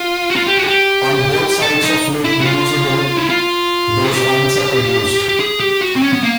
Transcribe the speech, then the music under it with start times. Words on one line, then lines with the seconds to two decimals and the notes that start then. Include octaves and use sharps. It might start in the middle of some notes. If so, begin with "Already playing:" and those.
On both sides of lake Neusiedl those wines are produced.
Already playing: F4
0.30 F#4
0.36 F4
0.47 G4
0.57 F#4
0.63 G#4
0.67 G4
1.62 A4
1.83 D#4
2.24 E4
2.41 F#4
2.46 F4
3.18 E4
3.29 F4
4.04 G#4
4.13 G4
5.29 G4
5.40 G#4
5.60 G4
5.81 F#4
5.96 C4
6.02 C#4
6.13 B3
6.23 A#3